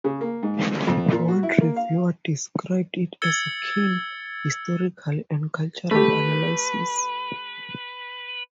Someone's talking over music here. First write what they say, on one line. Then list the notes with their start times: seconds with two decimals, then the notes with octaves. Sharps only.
One reviewer described it as a keen historical and cultural analysis.
0.04 C#3
0.21 A#3
0.43 G#2
0.87 F2
1.13 A#2
1.28 F#4
1.43 E4
1.61 A#3
1.76 F5
3.22 E6 G#6 A6 C#7 G7
5.91 A3 G4 B4